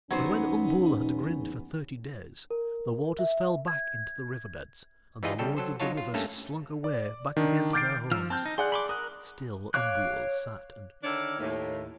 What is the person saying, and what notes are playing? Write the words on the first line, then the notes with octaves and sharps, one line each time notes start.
But when Umbool had grinned for thirty days the waters fell back into the river beds and the lords of the rivers slunk away back again to their homes: still Umbool sat and grinned.
F#1 E2 F#3 B3 C#4 D#4 C5
A#4
E5
G#6
E3 G3 D#4 F4 G#4 D#5
C#3 G3 A4 G5
F#3 A4 C5
F#3 D#4 F4 C#5 A5
F4
G2 A3 A#3 C#4 A4
D5
D#3 D4
D6 F6 G6 A6 C7 D7
F3 F4 E6 F6
C4 A5 F6 G6
D#4
G#4 D5 F#5 C6 F#6
B5 C6 D6
A#4 D#6 F#6
C#5 F5 D6 F#6
D3 D#3 D4 A#4 C#5 E5
D#2 A2